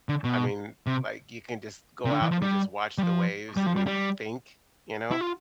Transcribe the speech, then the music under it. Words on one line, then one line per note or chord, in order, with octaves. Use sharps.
I mean, like, you can just go out and just watch the waves and think, you know?
D3
B2
C3
C3
D3
E3
F3
G3
G3
F3
G3
F3
G3
G3
E4
F4